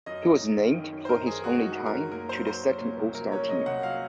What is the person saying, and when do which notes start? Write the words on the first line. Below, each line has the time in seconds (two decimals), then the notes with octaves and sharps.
He was named, for his only time, to the Second All-Star team.
0.06 F#2 D#5
0.23 F#2
0.41 D#4
0.58 D#3
0.74 D#3
0.93 F#2
1.05 C5
1.09 D#4 A#4
1.26 D#3 G#4
1.44 G#3 F#4
1.61 D#4 F#4
1.78 F#2
1.86 A#4
1.95 F#2
2.12 A#2 A#4
2.29 F#3 C5
2.46 F#3 C5
2.63 C#4
2.81 A#2
2.97 C2
3.15 F#3 A#4
3.32 C#4 C#5
3.49 A#2 D#5
3.66 C2 F#5
3.83 F#3 F5